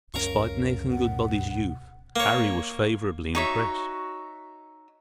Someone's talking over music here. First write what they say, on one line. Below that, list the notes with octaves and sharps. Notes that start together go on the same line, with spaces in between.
Despite Nathan Goodbody's youth Harry was favorably impressed.
C#2 F#2 C#4 A#4 F5 C#6
B2 F#5
A#3 C#5
D#4 F#4 C#5 E5